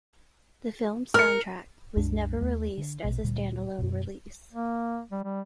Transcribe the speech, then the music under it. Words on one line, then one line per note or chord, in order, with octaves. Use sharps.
The film's soundtrack was never released as a stand-alone release.
A#4 F6 C#7
C2 F#2 G#3 D4
D#2 A3
D3
A#1 B2
D2 A#2 G3
F#2 B2
A#3
G3
G3